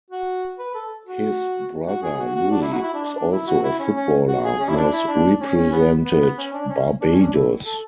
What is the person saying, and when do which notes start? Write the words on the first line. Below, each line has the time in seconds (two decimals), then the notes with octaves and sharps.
His brother Louie is also a footballer, who has represented Barbados.
0.11 F#4
0.58 B4
0.75 A4
1.07 F#4
1.87 F#4
2.03 G#4
2.19 F#4
2.35 F#4
2.51 D4
2.62 E4
2.72 F#4
2.83 E4
2.94 D4
3.05 D4
3.15 D4
3.32 E4
3.47 F#4
3.64 E4
3.79 C#4
3.96 C#4
4.28 F#4
4.44 G#4
4.60 C#4
4.69 E4
4.76 D4
4.93 E4
5.08 D4
5.41 C#4
5.56 C#4
5.72 B3
6.05 B3
6.21 B3
6.37 C#4
6.53 D4
6.69 C#4
7.01 D4
7.12 C#4
7.22 D4
7.34 E4
7.66 A4